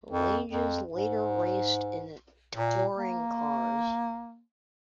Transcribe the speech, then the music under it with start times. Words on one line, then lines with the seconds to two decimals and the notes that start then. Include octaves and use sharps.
Langes later raced in touring cars.
0.11 F2
0.51 F2
0.92 G#2
2.56 A#2
2.97 A#3